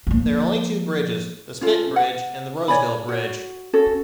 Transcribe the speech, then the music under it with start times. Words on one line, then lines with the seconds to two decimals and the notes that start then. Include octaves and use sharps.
There are only two bridges - the Spit Bridge and the Roseville Bridge.
0.07 F3 A#3
1.61 C#4 F4 A4
1.96 F#5
2.68 C#5 D5 G#5 B5
3.09 F#4 C#5
3.73 C#4 F#4 A4